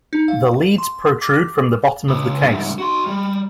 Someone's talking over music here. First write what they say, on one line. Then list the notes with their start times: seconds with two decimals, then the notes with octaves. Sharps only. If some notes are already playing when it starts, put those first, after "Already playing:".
The leads protrude from the bottom of the case.
0.13 D#4
0.28 F5
0.78 C6
1.21 D6
2.08 C#2
2.40 C2 G#2
2.78 F#4 C6
3.06 G3